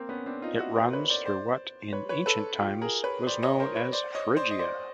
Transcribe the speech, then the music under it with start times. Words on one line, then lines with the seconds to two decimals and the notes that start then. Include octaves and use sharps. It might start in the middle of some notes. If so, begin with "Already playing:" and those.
It runs through what in ancient times was known as Phrygia.
Already playing: A#3 C4
0.09 B3 C#4
0.26 C4 D4
0.42 D#4 F4
0.59 E4 F#4
0.76 A#4 C5
0.93 B4 C#5
1.10 C5 D5
1.26 C5 D5
1.93 B4 C#5
2.09 B4 C#5
2.26 A4 B4
2.59 F4 G4
2.81 G#4 A#4
3.04 B4 C#5
3.27 C5 D5
3.43 C#5 D#5
3.59 A#4 C5
3.76 B4 C#5
3.92 C5 D5
4.15 C#5 D#5
4.37 C5 D5
4.51 D#5
4.59 C5 D5